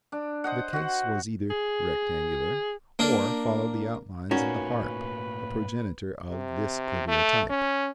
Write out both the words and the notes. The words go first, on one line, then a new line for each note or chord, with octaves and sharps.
The case was either rectangular, or followed the outlines of the harp, a progenitor of this clavier type.
D4
C5 D#5 F#5
F#4 F#5
G#4
A#3 D4
A2 A#3 C#4 D#4 F4 F#4 A#4 B4
C3
A3
C#4